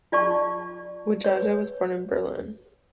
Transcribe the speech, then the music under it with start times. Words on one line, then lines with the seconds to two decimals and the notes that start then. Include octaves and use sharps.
Widjaja was born in Berlin.
0.12 F4 D5 A5 C#6
1.24 B4 C#5